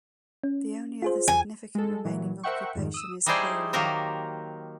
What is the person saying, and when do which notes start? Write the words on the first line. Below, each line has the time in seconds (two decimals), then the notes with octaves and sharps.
The only other significant remaining occupation is quarrying.
0.44 C#4
1.02 F4 G#4 C5
1.28 E2 G#5
1.75 G#3 A4
2.05 A#2 E3 F#3
2.43 A#4 C5 E5 F#5 G5 C#6
2.75 F2 G#2 D#3
2.94 D#6 E6
3.26 G3 D#4 E4 G#4 C5 D5
3.73 D#3 F#3 A#3 G4 A#4 C5